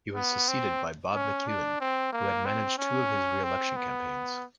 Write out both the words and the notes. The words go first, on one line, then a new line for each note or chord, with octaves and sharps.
He was succeeded by Bob McEwen, who had managed two of his re-election campaigns.
B3
C4
C#4
D4
C4
A#3
C4
C#4
C4
B3